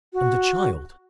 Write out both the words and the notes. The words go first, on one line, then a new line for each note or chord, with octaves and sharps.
And the child?
F#4